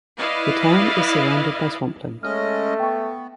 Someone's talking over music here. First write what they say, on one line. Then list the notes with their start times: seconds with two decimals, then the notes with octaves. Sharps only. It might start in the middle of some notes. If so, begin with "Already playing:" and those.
The Town is surrounded by swampland.
0.19 E4 B4 D5 D#5 F5
2.23 G#3 A3 C#4 D#5 F6
2.80 B3 G5 C#6